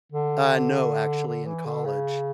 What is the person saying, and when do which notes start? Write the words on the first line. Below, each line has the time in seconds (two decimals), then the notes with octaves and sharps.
Uh, no actually, in college
0.12 D3
1.27 D3
1.47 E3
1.66 D3
1.85 C#3